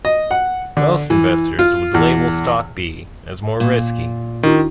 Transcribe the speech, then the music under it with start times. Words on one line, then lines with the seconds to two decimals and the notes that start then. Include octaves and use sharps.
Most investors would label stock B as more risky.
0.05 D#5
0.31 F#5
0.77 D3
1.10 E3
1.59 F4
1.94 E2
3.60 A#2
4.43 D#3 D4 E4 F#4